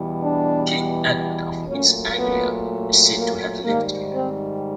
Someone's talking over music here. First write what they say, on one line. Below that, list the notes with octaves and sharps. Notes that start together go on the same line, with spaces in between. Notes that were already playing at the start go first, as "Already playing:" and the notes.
King Edmund of East Anglia is said to have lived here.
Already playing: E2 B2 G3
D4
A#2 F#3 A3 C#4
B3
A#3
G#2 D#3 G3 A#3
C4